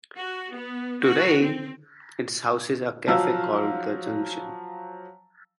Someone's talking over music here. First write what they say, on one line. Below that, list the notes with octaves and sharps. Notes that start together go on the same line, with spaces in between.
Today, it houses a cafe called "The Junction".
F#4
B3
F#4
C4
F3 F#3 F5 E6